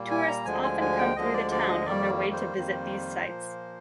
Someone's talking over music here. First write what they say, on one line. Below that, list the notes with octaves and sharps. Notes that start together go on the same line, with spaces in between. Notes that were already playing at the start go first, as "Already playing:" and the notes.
Tourists often come through the town on their way to visit these sites.
Already playing: A#2 G3 A#3
G#5
A#5
D2 D3 F3 G#3 G#5
G#5
G#5
G5
D2 D3 F3 G#3 D#5
D5
D5
D#5
F2 D#3 G3 A#3 D5
C5
F2 D#3 G3 A#3
A#2 F3 A#3